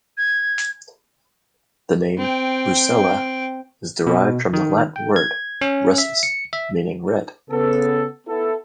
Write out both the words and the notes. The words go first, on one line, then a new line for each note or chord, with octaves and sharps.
The name "Russula" is derived from the Latin word "russus", meaning "red".
G#6
C4 G5
B2
D#3
G5
G#6
C#4
E5
C#7
E5
C#3 B3 A4
B3 E4 A4